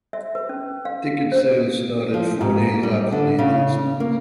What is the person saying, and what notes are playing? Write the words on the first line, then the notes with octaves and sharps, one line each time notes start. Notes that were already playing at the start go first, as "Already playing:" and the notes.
Ticket sales started four days after the announcement.
E5
B4
C#4
F5
C5
F3
G#2
G3
D3
C#3
A#3